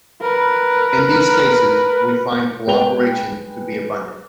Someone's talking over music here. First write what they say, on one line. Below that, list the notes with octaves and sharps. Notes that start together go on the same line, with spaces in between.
In these cases, we find cooperation to be abundant.
A#4 B4
G#3 B4 G5 F7 G7